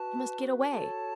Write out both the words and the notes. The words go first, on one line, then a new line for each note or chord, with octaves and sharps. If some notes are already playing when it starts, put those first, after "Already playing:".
He must get away.
Already playing: F#4 B4 A5
F#4 A4 C#5 A5